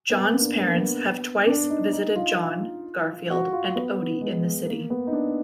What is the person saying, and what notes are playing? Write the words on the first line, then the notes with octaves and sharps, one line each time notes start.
Jon's parents have twice visited Jon, Garfield, and Odie in the city.
B3
A#3
D4
B3
A#3
B3
D4
D#4
D#4
F4
F#4
F4
B3
G#3
A#3
B3
D#4
D4